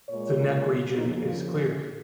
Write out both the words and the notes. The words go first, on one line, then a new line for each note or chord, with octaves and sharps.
The neck region is clear.
A#2 G#3 C#5
F2 C#3 F3 A#3 D#4
F4
G#4